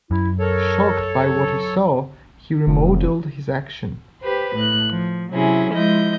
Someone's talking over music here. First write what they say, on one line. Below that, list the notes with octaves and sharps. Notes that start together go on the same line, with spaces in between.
Shocked by what he saw, he remodelled his action.
F#2 E4
A4 A#4 C#5
F#3
F1
G4 B4 C5
A2 F#6
F3
C3 F#3 C#4 E4 G#4
F3 G#3 E4 D#5 G6